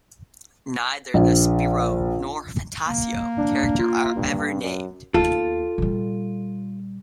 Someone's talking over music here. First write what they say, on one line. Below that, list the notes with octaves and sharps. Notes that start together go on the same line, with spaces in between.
Neither the "Spirou", nor the "Fantasio" character are ever named.
A#1
A#3
D4
F4
G2
F#2
D#2 B3 F4 A4
A#2 G3